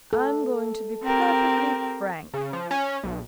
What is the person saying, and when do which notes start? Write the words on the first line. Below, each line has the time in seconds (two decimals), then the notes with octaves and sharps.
'I'm going to be perfectly frank.
0.13 A4
1.03 C4 G4 A#4
2.34 C#3
2.53 F3
2.71 C#4
3.03 B1